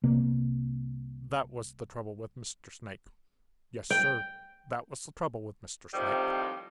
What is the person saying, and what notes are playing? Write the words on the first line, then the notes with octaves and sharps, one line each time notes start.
That was the trouble with Mr. Snake. Yes, Sir, that was the trouble with Mr. Snake.
C2 C3 A#3
G5
A2 C3 D#3 F3 G3 C4